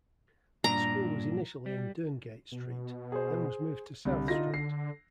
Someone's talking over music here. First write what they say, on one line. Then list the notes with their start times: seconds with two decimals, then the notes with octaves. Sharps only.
The school was initially in Durngate Street, then was moved to South Street.
0.64 G2 A#2 D4 A#5
1.66 G3
2.52 B2
3.12 G#4 C5
4.05 C2 D3
4.28 D#4 F4 A#6
4.54 C7